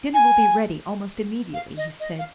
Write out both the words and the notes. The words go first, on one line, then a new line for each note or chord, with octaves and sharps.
"Dinner will be ready almost immediately," he said.
G#5
F5
D#5
D#5
F5